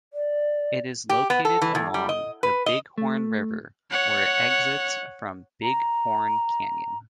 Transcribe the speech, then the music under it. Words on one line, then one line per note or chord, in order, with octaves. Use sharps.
It is located along the Bighorn River where it exits from Bighorn Canyon.
D5
G4
B3
A4
E3
E2
G3
D#5
B4
D#5
A3
C#5 F#5
A#5